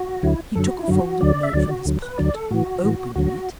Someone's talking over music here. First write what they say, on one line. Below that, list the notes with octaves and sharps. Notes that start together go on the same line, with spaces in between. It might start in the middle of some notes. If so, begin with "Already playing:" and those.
He took a folded note from his pocket, opening it.
Already playing: F#4
D2 D3 F#3 E4
F#2 D3 F#3 A4
F#4
E4
F#2 D3 F#3 F#4
D2 D3 F#3 D5
E5
D2 D3 F#3 D5
F#4
D2 D3 F#3
B4
D2 D3 F#3 D5
A4
A2 E3 F#4
A2 E3
D2 D3 F#3 F#4